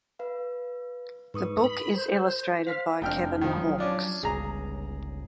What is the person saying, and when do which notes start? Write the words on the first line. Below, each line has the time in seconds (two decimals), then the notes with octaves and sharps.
The book is illustrated by Kevin Hawkes.
0.19 B4 F5
1.34 G#2 B4 C#6 D#6
1.64 B5
1.94 A#4 C5
2.67 C5 F5 B6
3.02 F1 F2 D4 G5 F6
3.41 D#3 F3
3.58 F#3
3.78 C#4 D4 F4
4.23 G1 C#2 G#4 A#5